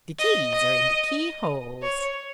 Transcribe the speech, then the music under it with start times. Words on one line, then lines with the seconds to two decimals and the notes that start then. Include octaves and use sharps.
The keys are in the keyholes.
0.20 D#5
0.52 D#5
1.82 C#5